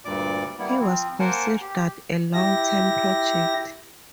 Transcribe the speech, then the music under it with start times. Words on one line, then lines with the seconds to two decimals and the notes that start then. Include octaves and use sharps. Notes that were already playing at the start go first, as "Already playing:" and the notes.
He was considered a long term project.
0.05 D2 G2 A#2 D5 D6
0.59 G3 A#3 B3 E4
0.80 F3 C4
1.19 A#3 A#4 C5 F#5 G#5 A5
1.61 G4
2.34 E4 G4 A#6